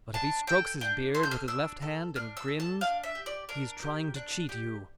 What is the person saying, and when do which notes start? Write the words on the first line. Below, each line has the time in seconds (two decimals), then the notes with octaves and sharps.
But if he strokes his beard with his left hand and grins--he is trying to cheat you.
0.14 D4 A5
0.47 A4 G5
0.81 D4 G5
1.15 A4 C6
1.23 G6
1.31 F6
1.48 D4 E6
1.82 A4
2.15 D4 F6
2.37 E6
2.48 A4
2.60 A5
2.81 D4 F5
3.03 E5
3.15 G4
3.26 D5
3.49 D4 A#4
3.83 G4
4.16 D4
4.49 G4